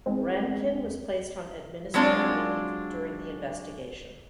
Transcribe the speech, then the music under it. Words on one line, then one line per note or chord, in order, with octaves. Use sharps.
Rankin was placed on administrative leave during the investigation.
E2 G#3 C4
F#3 G#3 C4 D4 F4 D5